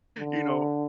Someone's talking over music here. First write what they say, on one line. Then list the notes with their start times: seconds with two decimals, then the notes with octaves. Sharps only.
you know
0.19 D3